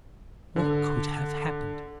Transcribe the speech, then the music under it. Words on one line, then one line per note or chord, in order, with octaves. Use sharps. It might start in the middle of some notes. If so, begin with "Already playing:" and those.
What could have happened?
G#1 D3 A4